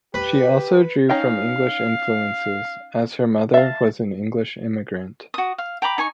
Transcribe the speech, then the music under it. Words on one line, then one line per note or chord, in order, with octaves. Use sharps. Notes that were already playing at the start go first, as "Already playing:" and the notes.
She also drew from English influences, as her mother was an English immigrant.
G4 B4
C#4 D#4 F5 G5
E5 F5 A5
F#4 D#6
F5
G5 A#5 B5 D6
D#4 G#5 C#6